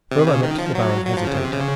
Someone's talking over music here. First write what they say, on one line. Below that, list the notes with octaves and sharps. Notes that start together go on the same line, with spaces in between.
For a moment the Baron hesitated.
C3
C#3
D#3
F3
F#3
F#3
F3
C#3
C3
C#3